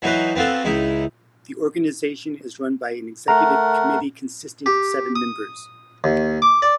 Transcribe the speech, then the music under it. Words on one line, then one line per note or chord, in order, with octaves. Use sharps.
The organisation is run by an Executive Committee consisting of seven members.
E3 F#3 D#4 F#4 B4 C5
B3 C4 F4 F#4 A4
C#2 D#4 E4 B5
A3 A#4 F#5 A#5
G4
D#6
D#2
D6
D5